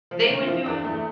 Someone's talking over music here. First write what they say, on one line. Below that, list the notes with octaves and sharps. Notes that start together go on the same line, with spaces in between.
they would do it
F3
A3
D3 A#3
F4
F3 E4
E2 D4
E2 A3
A3